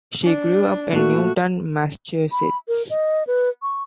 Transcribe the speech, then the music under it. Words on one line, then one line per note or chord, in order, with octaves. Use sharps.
She grew up in Newton, Massachusetts.
D4
A#2 A3 F#4
B5
A#4
D#5
B4
C#6